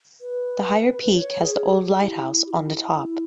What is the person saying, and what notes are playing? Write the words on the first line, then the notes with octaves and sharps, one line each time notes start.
The higher peak has the old lighthouse on the top.
B4
C#5
G#4
G4
E4
G4
E4
E4